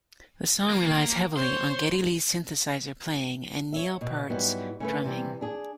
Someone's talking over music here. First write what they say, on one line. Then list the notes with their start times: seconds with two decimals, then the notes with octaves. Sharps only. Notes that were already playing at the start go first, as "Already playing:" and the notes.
The song relies heavily on Geddy Lee's synthesizer playing and Neil Peart's drumming.
0.70 A#3
1.37 C5 C#5 C6
3.73 C#5 E5
4.01 B2
4.30 G#2 F#3 G3 B3 E4
4.80 C#3 A3 B4
5.04 C3 E3 G3 C4
5.41 D4 G#4